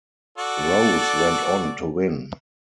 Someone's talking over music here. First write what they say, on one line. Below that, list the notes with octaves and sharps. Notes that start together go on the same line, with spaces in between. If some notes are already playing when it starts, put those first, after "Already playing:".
Rose went on to win.
F#4 A4 D5